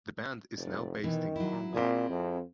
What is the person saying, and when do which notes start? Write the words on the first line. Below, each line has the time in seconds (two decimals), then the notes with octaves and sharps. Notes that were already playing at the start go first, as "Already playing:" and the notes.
The band is now based in Cornwall.
0.58 F1 D5
1.04 B2 D#3 E3
1.36 F#3 E4
1.74 A#2 C4 E4 G#4
2.09 F2